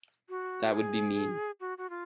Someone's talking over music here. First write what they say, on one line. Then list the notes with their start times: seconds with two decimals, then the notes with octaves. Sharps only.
That would be mean.
0.29 F#4
0.72 G#4
1.60 F#4
1.78 F#4
1.90 F4